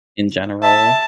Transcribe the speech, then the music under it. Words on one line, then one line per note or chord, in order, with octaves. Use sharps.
in general.
E5 A5